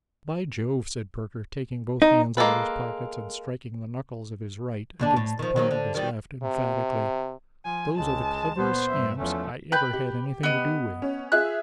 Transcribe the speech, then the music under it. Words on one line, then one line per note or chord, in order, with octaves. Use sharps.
'By Jove!' said Perker, taking both hands out of his pockets, and striking the knuckles of his right against the palm of his left, emphatically, 'those are the cleverest scamps I ever had anything to do with!'
D#4
G#3 A#3 B3 A4 B4
D#2 D3 D4
A2
D#3 F3
D#3 F#3 A#3
D3
D#3 G3
C3
F3 G#5
C#2 G#3 A5
A#2 B3 C5
G2 E5
E2 F3 A3 C#4
B4 G5 B5 G6
G4
B3 D#5
C#4
F4 G#4 E5 F#6